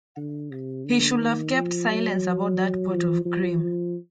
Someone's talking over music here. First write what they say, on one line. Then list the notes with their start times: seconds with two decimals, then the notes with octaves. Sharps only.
He should have kept silence about that pot of cream.
0.17 D3
0.51 C3
0.85 D3
1.19 D#3
1.54 F3
1.88 F#3
2.91 F3
3.25 F3
3.60 F3